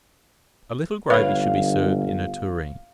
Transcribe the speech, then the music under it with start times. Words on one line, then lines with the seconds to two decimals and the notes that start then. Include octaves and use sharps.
A little gravy should be served in a tureen.
1.10 G1 B4 C#5 F5